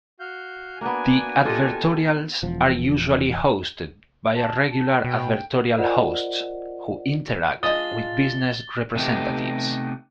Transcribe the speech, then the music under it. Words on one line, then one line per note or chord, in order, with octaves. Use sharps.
The advertorials are usually hosted by regular advertorial hosts who interact with business representatives.
F#4 F5 G6
A#3 B3 D4 F#4 G#5
F4 G4 A4 D#5
E1 F3
A5
A5
B2 G5
F4 A#4 C5 D5 D#5 F#5
G#3 D4 F4 D#5 D#6 A6 G7
C3 A3 B3 D#4 G4